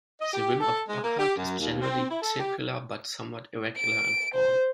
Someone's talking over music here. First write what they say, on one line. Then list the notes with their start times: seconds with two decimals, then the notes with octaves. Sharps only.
The rim of Burckhardt is generally circular but somewhat irregular in form.
0.20 D#5
0.33 G4
0.60 A4
0.88 G#3
1.02 A#3
1.19 G4
1.37 F#2
1.59 D#2
1.81 C4
2.09 E4
2.21 A4
2.39 G4
3.77 D7
4.34 C5